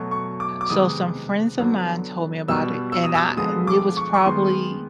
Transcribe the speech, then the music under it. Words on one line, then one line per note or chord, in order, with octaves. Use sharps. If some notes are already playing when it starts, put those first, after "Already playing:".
so, some friends of mine told me about it and I and it was probably,
Already playing: B2 F#3 A3 C#6
C#6
D6
D6
C3 D#3 G#3 B3 D#6
D3 F#3 B3
B2 G3 B3 E6
E6
D#6
E6
D3 F3 G#3 B3 D#6
D6
C#6
C#6
D#3 G#3 B3 C6